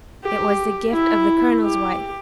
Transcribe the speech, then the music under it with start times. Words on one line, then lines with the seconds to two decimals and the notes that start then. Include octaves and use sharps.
It was the gift of the colonel's wife.
0.23 G4
0.92 E4
1.63 G4